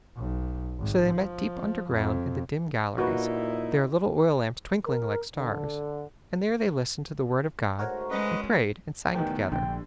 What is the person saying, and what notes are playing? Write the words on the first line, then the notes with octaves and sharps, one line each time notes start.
So they met deep underground in the dim galleries, their little oil-lamps twinkling like stars, and there they listened to the Word of God, and prayed and sang together.
B1
G#1
F3
F2
A#2 D#4 E4 F#4 B4
A#4
D3
G#2 A3 F#4 A#4 C5 C#5
G#3 C#4 B4 D#5
E2 D#3 A3 B3 G4 G5
A#1 D3 G5